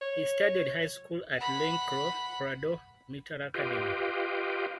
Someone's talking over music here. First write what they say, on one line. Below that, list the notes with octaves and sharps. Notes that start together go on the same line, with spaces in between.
He studied high school at Leoncio Prado Military Academy.
C#5
F#5 B5
F4 G4 B4 D#5 F5 G5